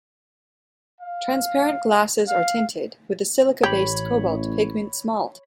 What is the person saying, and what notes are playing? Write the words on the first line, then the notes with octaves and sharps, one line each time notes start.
Transparent glasses are tinted with the silica-based cobalt pigment smalt.
F5
F5
A1 G4 C#5 B5